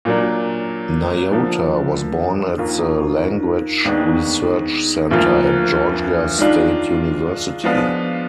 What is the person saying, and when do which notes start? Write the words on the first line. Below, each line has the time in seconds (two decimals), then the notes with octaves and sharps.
Nyota was born at the Language Research Center at Georgia State University.
0.05 A#2 F#3 A#3 D4
1.32 D3 F3 A#3
2.58 D#2 D#3 A#3 F4
3.84 D#2 D#3 G#3 B3 D4
5.11 D2 D3 F3 A#3 F4
6.38 D#3 G#3 D4 F4
7.64 F3 G#3 B3 D4 F4